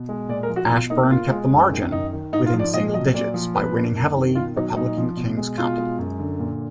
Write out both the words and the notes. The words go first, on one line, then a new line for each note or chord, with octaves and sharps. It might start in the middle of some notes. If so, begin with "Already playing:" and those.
Ashburn kept the margin within single digits by winning heavily Republican Kings County.
Already playing: B2
G#3
A#2 D5
A#4
F3
F#4
B2 F4
A#3 D#4
B2 F4
G#3
F#2
D#3
F#2 D#4
D#3
G#2 D#4
F4
F3
D5
A#2 D#5
F#3 D#5
A#2 D5
F3
B2 B4
A#3
F#2
D#3
B2 F4
F#3 D#4
A#2 D#4
F3
B2
G#3
B2 F4
G#3
F#2
D3
A#2